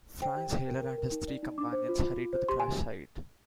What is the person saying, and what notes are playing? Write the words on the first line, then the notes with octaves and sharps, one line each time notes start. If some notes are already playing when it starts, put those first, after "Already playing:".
Franz Hailer and his three companions hurried to the crash site.
C5 G5
G4
G4
A#4
A#4
A#4
D#4
D5
D#4
D4 D6
C5
F4
F4
F4
C5
G4 C6
G#5